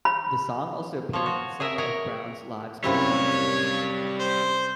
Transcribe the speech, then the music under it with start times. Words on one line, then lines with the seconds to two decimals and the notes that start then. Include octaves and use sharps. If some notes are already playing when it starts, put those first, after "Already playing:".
The song also appeared in some of Brown's live performances.
0.05 B5
1.13 F3 C#5
1.26 F#4
1.60 G#4 A#4 E5
1.78 G#4 A#4 C#5 F#5
2.84 F#2 C3 G3 E4 C#5 F5
4.20 C5